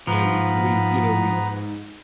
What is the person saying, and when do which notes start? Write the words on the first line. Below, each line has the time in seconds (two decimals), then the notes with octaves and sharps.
and we, you know, we
0.07 G#2 F3 B3 B4 A#5